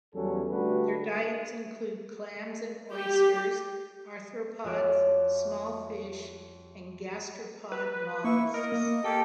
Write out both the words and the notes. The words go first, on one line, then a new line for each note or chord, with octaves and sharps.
Their diets include clams and oysters, arthropods, small fish and gastropod molluscs.
E2 F#3 G3 C#4 A4
D3 G3 A3 D4 F#4 B4
G4
F2 C#4 F#4 C#5 E5 D6
B4
A#3 E4 C#6
A#4 D#5
A#3
A#3 G4 A4 G5